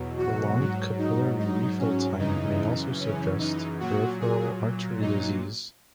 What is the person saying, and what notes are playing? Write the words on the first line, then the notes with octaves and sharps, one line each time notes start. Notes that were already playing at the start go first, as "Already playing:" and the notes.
Prolonged capillary refill time may also suggest peripheral artery disease.
Already playing: E2 B2 F#3
F#4
G#2 F#3
D#4
D#4
C#4
F#2 C#3 E3 D#4
C#4
D#4
A#2 F#3 F#4
G#4
D#4